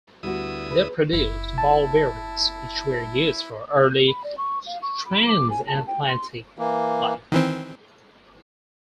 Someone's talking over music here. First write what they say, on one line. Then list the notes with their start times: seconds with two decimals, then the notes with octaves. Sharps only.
They produced ball bearings which were used for early transatlantic flight.
0.23 D2 G3 B3 E4 F#4 D#6
0.71 G#4 B4
1.13 F#1 E4
1.58 A5
4.08 B5
4.24 D5
4.38 C#6
4.66 F5
4.82 C#6
5.06 B5
5.26 D6
5.50 G#5
5.67 A5
5.87 G5
6.08 C6
6.59 E3 A#3
7.32 D#3 E3 C4